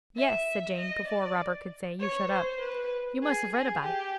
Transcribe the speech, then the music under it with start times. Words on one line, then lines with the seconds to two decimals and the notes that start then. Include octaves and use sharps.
'Yes,' said Jane, before Robert could say 'You shut up!' 'You must have read about it.
0.16 E5
0.77 D#5
1.08 D5
2.00 C#5
2.30 C5
2.61 B4
3.22 G#4
3.53 G#4
3.83 G4